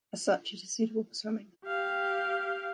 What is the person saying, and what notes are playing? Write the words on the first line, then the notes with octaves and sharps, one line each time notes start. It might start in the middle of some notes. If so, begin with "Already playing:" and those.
As such, it is suitable for swimming.
G4 F5